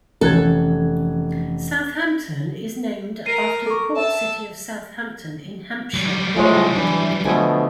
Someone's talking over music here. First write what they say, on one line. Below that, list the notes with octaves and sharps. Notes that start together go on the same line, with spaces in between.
Southampton is named after the port city of Southampton in Hampshire, England.
F1 E3 C#4 A4 F#6 G#6
A#4 C7 D#7
A4 C#6
E5 A5 E6
F#3 G3
A2 F3 G#3 F4 C#5
E3 D4
B2 D3 F3 A3 B4 G#5